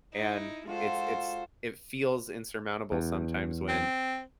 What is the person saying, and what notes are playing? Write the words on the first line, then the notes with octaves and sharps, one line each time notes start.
and it's it's it feels insurmountable sometimes when,
D#4 E4
G#3 F4 F#4 A4 C5 F5
E2
C4